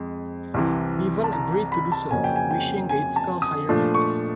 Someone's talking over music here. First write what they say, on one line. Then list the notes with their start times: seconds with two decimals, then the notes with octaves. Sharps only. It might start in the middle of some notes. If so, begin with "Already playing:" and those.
Bevan agreed to do so, wishing Gaitskell "higher office".
Already playing: F2 G#3
0.54 C2 C3 E3
1.24 A5
1.33 A#5
1.52 A#5
1.72 B5
1.92 A5
2.11 F2 C#3 F#3 A#3 C#4 G#5
2.24 G5
2.36 G#5
2.51 G5
2.89 G#5
3.16 A5
3.42 D#6
3.69 A#2 F3 A3 D4
3.95 C#6